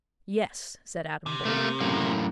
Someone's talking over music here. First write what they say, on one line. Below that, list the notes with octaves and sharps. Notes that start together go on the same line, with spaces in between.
"Yes," said Adam boldly.
C3
A3 A#3
F#2 A2 A#3